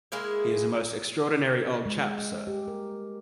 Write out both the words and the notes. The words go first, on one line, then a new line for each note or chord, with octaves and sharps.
He is a most extraordinary old chap, sir.
G#3 A#3 E4 G#4
G#3
G4
A#4